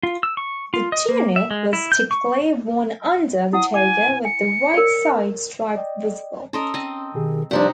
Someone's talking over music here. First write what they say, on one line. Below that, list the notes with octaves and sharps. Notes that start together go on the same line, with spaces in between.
The tunic was typically worn under the toga with the right side stripe visible.
F4
E6
C#6
F4
D#5
A#3
E5
G#3
E4
G6
C#6
E4 F#5 D#6
G#5 D6
G#5 C#7
A#4 C#5 D5
D5 D#5 G5
C#4 A4 A#4 D#5 C6
C4 D#5
B2 D#3 G4 G#4
G2 C3 F3 C4 D4 D#4 D5 F#5